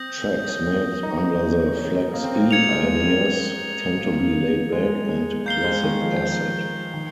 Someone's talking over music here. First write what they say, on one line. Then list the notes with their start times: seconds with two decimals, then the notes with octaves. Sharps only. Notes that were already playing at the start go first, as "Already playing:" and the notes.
Tracks made under the FlexE alias tend to be laid-back and classic acid.
Already playing: C4 D#6 G6 A#6
0.29 C#4
1.03 D#4
1.77 C#4
2.14 A#3
2.24 C4
2.35 A#3
2.51 A#3 G#6 C#7 F7
2.69 G#3
2.88 A#3
3.06 C4
3.99 A#3
4.72 G#3
5.09 G#3
5.46 A#3 G6 C7 G7
5.64 G#3
5.84 D#3
6.01 F3
6.94 D#3